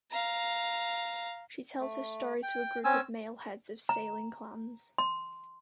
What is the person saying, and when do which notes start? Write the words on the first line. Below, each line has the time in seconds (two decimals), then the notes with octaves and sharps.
She tells her story to a group of male heads of sailing clans.
0.12 F5 A#5
1.80 A3
2.43 G5
2.84 C4 C#4 G#5 E6
3.89 A#5
4.98 C6